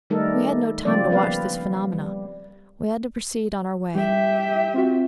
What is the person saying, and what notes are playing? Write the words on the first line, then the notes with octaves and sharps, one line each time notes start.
We had no time to watch these phenomena; we had to proceed on our way.
D#3 G3 A3 D#4 A4 A#4
C#3 F3 G3 A#3 C4 D5
B3 C4 B4 F5
G3
G3 G4 E5
C4 F4 F#4